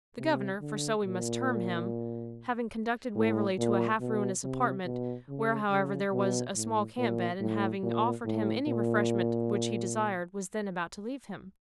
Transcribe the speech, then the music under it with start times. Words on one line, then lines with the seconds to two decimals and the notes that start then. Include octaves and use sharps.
The governor, for so we must term him, having conducted Waverley to a half-ruinous apartment, where, however, there was a small camp-bed, and having offered him any refreshment which he desired, was then about to leave him.
0.19 C3
0.60 D3
1.04 A#2
3.15 A2
3.58 A#2
4.00 B2
4.44 C3
4.85 B2
5.28 C#3
5.70 C#3
6.12 B2
6.55 A2
6.98 A#2
7.40 A2
7.83 A#2
8.25 A2
8.67 A#2